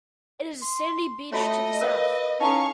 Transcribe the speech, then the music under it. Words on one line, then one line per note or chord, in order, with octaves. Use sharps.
It is a sandy beach to the south.
C6
A3 F4 F#4 C#5 D#5
A#4 B4 C#5 F5
C#4 D#4 E4 A4 F5 C#6